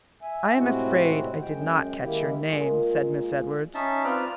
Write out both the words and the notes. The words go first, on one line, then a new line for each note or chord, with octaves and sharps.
"I am afraid I did not catch your name," said Miss Edwards.
E5 G#5
A2 C3 G#3 C4 E4 F#4
F#2 G#3 G5
D#3 G#3 A#3 E4 G4
A#2 G#3
C#4 D#4 E5 A5
C4 F4 B4 D5 A#5